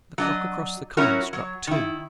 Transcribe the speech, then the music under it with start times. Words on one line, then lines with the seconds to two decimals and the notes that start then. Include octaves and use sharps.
The clock across the common struck two.
0.18 F#3 D4 D#5
0.97 F#3 C#4 E4 F#4 A#4
1.33 F#3
1.67 D#3 E4